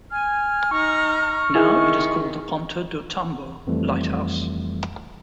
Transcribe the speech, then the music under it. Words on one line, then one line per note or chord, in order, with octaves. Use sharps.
Now it is called the Ponta do Tumbo Lighthouse.
G#5 F6
D#4 A#5 C#6
D#3 E4 G#4 E5
F2 E3 F3 G3 A3